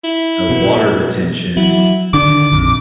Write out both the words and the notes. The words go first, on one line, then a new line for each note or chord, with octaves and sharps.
the water retention,
E4
B2
F#3 E4
D3 D#3 D4 D6
A#1 F2